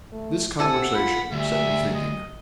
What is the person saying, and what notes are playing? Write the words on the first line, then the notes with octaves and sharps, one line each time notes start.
This conversation set me thinking.
A3
C3 A4 F#5 G#5 E6
F4 B5
D2 G3 E5
D#5